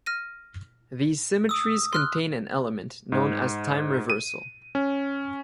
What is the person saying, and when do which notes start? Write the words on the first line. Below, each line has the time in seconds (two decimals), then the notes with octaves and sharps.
These symmetries contain an element known as time reversal.
0.06 F6 A#6 D#7
1.49 D#6 E6
1.93 C6 F6 F#6
3.12 G#2
4.10 D#7
4.75 C#4